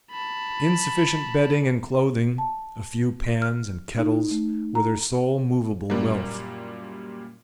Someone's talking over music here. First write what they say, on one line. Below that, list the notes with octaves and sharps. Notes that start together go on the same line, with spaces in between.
Insufficient bedding and clothing, a few pans and kettles, were their sole movable wealth.
A5 B5
A5
F6
D#4
A3
A#5
F#2 A#2 G3 A#3